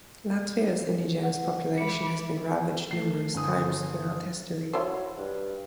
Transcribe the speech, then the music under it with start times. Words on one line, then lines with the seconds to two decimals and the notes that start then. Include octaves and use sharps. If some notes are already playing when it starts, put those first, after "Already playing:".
Latvia's indigenous population has been ravaged numerous times throughout history.
1.23 B4 F#5
1.78 G#3 E5 B5 D6 C#7
2.91 A3 C7
3.34 G1 D#3 G#5 D#6
4.73 F#3 E4 F4 C5
5.18 G2